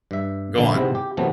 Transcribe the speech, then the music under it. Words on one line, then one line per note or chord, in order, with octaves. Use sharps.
go on.
G2 E5
A#1 D3 F3
G#2 C3 B3 C4 E4
G4
C3 E3 F#3 A3 B3